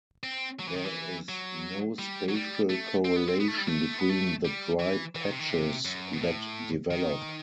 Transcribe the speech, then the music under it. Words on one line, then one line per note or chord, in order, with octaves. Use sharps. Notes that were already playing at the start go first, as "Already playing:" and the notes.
There is no spatial correlation between the dry patches that develop.
C4
F#3
E3
D#3
E3
F#3
G3
F#3
G3
A3
C4
B3
C4
B3
A3
G3
A3
B3
A3
G3
E3
E3
D#3
C3
D#3
C3
F#2
B2
A2
D#3